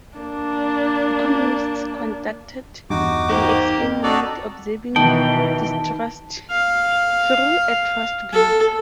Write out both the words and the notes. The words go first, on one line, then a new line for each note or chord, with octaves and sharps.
Economists conducted an experiment observing distrust through a trust game.
A#3 D4
E2 G2 D#4 F#4 D6
G#2 A#3 G4
F2
D4 D#4 F#4 A4 D5
B2 D#3 E3 G5 A5
F5
A4